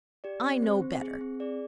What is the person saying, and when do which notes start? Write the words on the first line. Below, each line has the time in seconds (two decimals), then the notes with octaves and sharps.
I know better.
0.24 G4 D5
0.44 C4
0.63 C4 C5
0.82 C4
1.01 G#4
1.21 C4
1.40 G#4 D5